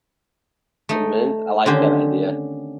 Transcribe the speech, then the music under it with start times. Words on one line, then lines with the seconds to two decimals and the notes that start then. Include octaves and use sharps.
The Mint, I like that idea.
0.89 A3 D#4
1.66 D3 D#3 C4 C#4 G4 C5